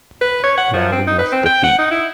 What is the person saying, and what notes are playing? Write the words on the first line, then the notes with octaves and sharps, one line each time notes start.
Now we must defeat.
B4
C#5
F#5
F3
C4
D#4
B4
C4
G5
F#5
D#4
E4